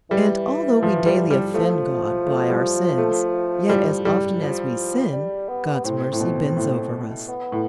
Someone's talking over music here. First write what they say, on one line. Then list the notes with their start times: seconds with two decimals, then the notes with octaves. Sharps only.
And although we daily offend God by our sins, yet as often as we sin, God's mercy bends over us.
0.10 E3 G3
0.82 F3
1.06 G3
1.30 G3
1.54 F3 A3
2.26 A3
2.50 G3
2.98 A3
3.69 G3
4.05 G3
4.42 F3
5.13 G3
5.49 B3
5.84 A2 C4
6.12 A2
6.20 B2
6.57 A2
7.29 B3
7.52 A2